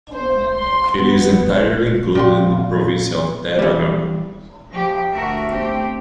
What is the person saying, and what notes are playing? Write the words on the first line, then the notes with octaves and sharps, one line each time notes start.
It is entirely included in the province of Tarragona.
C5
C6
B3
A#2 G4 C6
E3 G3
F3 G4
D2 A3 F#4 A#4 E5
A3 C4 G4